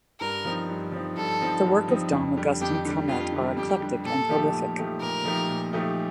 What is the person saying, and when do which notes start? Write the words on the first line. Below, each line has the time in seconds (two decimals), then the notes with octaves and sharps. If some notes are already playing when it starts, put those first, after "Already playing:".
The work of Dom Augustin Calmet are eclectic and prolific.
0.20 G2 A#4
0.45 F3 C4 D#4
0.68 G2
0.92 F3 C4 D#4
1.17 G2 A4
1.40 F3 C4 D#4
1.65 G2
1.88 F3 C4 D#4
2.12 F2
2.37 D3 G3
2.61 F2 G4
2.85 D3 G3
3.08 F2 F4
3.32 D3 G3
3.56 F2 G4
3.80 D3 G3
4.04 A#2 A4
4.29 F3 A3 D#4 G4
4.54 A#2
4.77 F3 A3 D#4 G4
5.01 A#2 A#4
5.25 F3 A3 D#4 G4
5.49 A#2
5.73 F3 A3 D#4 G4